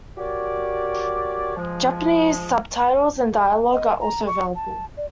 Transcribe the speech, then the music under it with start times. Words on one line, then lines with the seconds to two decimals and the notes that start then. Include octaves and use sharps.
Japanese subtitles and dialogue are also available.
0.18 F#4 G4 A#4 C#5 D5
1.57 F3 G#3
3.73 D#5
4.00 A#5
4.27 C#6
4.55 A5
4.97 D5